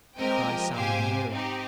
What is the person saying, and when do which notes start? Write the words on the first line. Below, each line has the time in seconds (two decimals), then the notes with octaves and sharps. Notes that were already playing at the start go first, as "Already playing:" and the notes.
The cries sounded nearer.
0.18 G#3 C4 G4 A#4 D#5 G5
0.46 F3 G#3
0.74 G#2 C3 G4 C5 F5 G#5
1.32 C4 D#4 G4